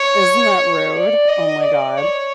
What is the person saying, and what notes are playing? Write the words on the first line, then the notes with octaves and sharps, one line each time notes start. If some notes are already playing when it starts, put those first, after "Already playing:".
Isn't that rude? Oh my god.
Already playing: C#5
D5
D#5
D5
C#5